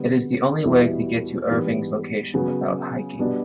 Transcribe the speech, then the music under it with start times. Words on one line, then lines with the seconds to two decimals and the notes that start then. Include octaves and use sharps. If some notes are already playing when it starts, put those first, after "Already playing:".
It is the only way to get to Erving's Location without hiking.
Already playing: D3 G3 B3
0.64 E2 B2 G3 B3 E4
1.49 G#2 E3 G3 B3
2.34 C#3 F#3 B3
3.19 B2 G3 B3 D4